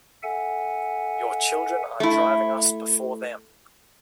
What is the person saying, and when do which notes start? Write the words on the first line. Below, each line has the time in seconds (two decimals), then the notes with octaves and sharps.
Your children are driving us before them.
0.23 A4 E5 F#5 G#5
2.00 A3 E4